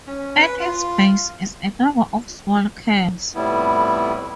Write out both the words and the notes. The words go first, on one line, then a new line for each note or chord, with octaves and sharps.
At its base is a number of small caves.
C#4
B4
F4
F2 A2 G3 B3 E4